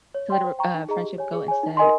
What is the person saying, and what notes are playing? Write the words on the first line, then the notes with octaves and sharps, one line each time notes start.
To let a r uh, friendship go instead.
C#5
G5 C6
C5
G5 A#5 C#6
D#4
G#4 D#5 A#5
G4
C#5 G#5
G#4
C#5 G#5
D#4
A#4 D#5 G#5 C6